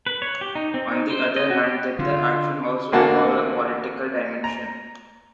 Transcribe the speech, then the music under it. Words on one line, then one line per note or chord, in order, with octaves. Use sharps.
On the other hand, did the action also involve a political dimension?
B4
C#5
G4
D#4
C4
D#4
C5
D#5
F#4
G4
D3 F4
A1 D3 A#3 F#4 F#5 A5
A#5